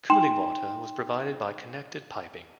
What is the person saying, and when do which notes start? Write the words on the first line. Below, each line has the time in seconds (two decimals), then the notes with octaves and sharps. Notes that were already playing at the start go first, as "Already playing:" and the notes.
Cooling water was provided by connected piping.
0.10 D#4 G5 C6 E7